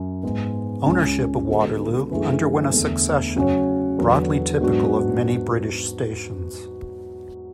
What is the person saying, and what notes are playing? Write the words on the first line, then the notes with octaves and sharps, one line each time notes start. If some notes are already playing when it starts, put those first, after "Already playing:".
Ownership of Waterloo underwent a succession, broadly typical of many British stations.
Already playing: F#2
G#2 G#3 B3
C#2 C#3 G#3 C#4
D3 G#3 B3 F#4 A4
F#2 E3 A3 D4 G#4
E2 D3 A3
C#3 F#3 C#4 F#4 C#5
E2 D3 F#3 B3 F#4
G#2 F#3 B3 D4 F#4